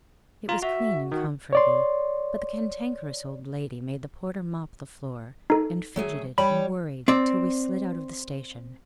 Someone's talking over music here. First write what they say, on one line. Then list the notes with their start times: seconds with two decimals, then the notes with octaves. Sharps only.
It was clean and comfortable; but the Cantankerous Old Lady made the porter mop the floor, and fidgeted and worried till we slid out of the station.
0.49 F4 A#5
0.62 F#4 E5
1.12 D#3 F#4
1.53 C#5 D5 C6
5.50 D#4 A4
5.96 F#3 A3 G#4
6.38 G3 C#5 G5 B5
7.08 C4 D5